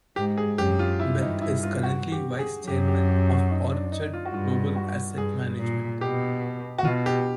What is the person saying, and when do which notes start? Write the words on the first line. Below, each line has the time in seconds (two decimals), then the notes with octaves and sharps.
Belt is currently Vice Chairman of Orchard Global Asset Management.
0.16 G#2 G4
0.38 G#4
0.58 F#2 G4
0.79 F4
1.00 G2 E4
1.21 D#4
1.42 E4
1.63 F4
1.83 F#4
2.12 G4
2.39 G#4
2.68 F#2 G4
2.88 G4
3.09 G4
3.29 F#4
3.51 D#4
3.72 D4
3.92 D#4
4.14 F4
4.25 F#4
4.34 G2 F4
4.76 F#4
5.17 G2 G#4
5.60 A#2
6.01 B2 G4
6.78 F#4
6.85 B2 F4
7.06 G4